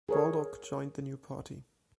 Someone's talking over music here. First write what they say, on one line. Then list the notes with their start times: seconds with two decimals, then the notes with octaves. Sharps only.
Baldock joined the new party.
0.09 G#4 A#4 C#5